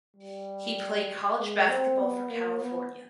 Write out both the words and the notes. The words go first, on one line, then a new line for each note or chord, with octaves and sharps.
He played college basketball for California.
G3
G#3
C4
B3
A#3
B3